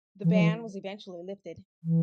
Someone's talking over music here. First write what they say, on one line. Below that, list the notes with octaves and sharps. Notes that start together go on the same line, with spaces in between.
The ban was eventually lifted.
E3
F#3
E3
E3